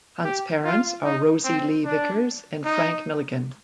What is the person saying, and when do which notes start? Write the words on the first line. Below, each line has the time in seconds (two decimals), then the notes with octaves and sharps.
Hunt's parents are Rosie Lee Vickers and Frank Milligan.
0.24 G4
0.64 F4
1.04 D#4
1.44 C4
1.85 D4
2.65 D#4